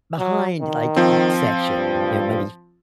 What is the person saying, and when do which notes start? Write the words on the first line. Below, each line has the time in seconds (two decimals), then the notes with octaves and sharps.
behind, like, each section, you know, maybe,
0.19 F#3
0.61 D#3
0.96 F3 C4
1.75 G2